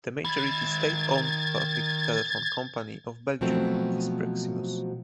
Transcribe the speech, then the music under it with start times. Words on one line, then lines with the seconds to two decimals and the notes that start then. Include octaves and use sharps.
The majority state-owned public telephone company of Belgium is Proximus.
0.25 D#3 B5 G#6 A6
3.41 B2 F3 F#3 A3 C4